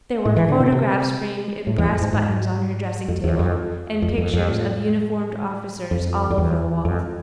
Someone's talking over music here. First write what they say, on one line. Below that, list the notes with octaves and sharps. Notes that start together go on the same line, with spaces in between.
There were photographs framed in brass buttons on her dressing-table, and pictures of uniformed officers all over the walls.
A2
E3
D3
B2
C3
A2
E2
F2
G#2
G#2
F2
E2
F2
F2
F2
F2
A2
F2
F2
E2
F2